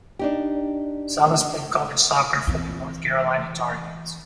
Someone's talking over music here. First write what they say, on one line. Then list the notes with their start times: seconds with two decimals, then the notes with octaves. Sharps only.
Salas played college soccer for the North Carolina Tar Heels.
0.19 D4 D#4 G4
2.47 E3 C4